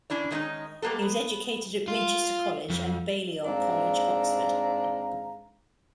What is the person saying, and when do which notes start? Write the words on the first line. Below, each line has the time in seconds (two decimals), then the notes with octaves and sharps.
He was educated at Winchester College and Balliol College, Oxford.
0.10 C#4 D4 E4 D5
0.31 D#3 G#3 A3 C4 C#4 D#4
0.82 G3 G#3 A#3 B3 A4
1.02 B3
1.88 F4
2.70 F2
3.45 G#2 C4 D4 F5 A#5